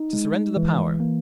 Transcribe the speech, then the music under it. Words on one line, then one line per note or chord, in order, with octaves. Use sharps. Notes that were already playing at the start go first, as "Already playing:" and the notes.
To surrender the power.
Already playing: D#4
G#3
E3
A#3